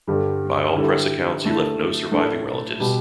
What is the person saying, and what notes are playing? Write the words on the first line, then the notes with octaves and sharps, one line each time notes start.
By all press accounts, he left no surviving relatives.
G2 D3 G3
D3 G3 E4
D3 A3 E4
A2 A3 D4
B2 G3